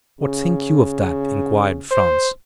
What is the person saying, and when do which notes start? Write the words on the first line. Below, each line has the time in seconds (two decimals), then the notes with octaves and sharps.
"What think you of that?" inquired Franz.
0.21 C#3
1.91 C5